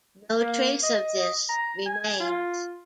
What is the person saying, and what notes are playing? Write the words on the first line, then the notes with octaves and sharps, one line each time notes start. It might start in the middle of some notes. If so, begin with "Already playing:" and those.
No trace of this remains.
A#3
D#5
A#5
G#5
F4